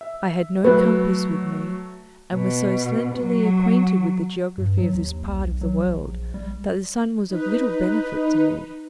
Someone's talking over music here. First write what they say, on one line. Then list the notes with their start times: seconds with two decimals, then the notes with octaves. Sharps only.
I had no compass with me and was so slenderly acquainted with the geography of this part of the world that the sun was of little benefit to me.
0.01 E5
0.65 F#3 A3 F#4 B4
2.34 B2
3.17 F#3
4.58 G2
4.78 F#3
4.95 D#2
5.28 B1
5.61 F#3
5.87 A#1
6.34 G3
7.28 D#4 B4